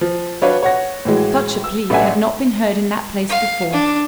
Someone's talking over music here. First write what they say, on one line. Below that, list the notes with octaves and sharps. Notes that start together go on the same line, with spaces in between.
Such a plea had not been heard in that place before.
F3
F#3 D4 B4 C#5 D5 F5
C#5 F#5 A#6
A2 E3 F#3 G#3
E6
A1 A3 D4 E5 F#5 G#5
F5
D4